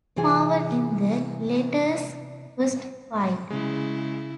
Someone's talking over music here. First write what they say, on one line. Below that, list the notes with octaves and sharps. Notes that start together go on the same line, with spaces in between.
Marvel in the latter's first fight.
C3 E3 F4 G#4 G#5
C#3 G#3 E4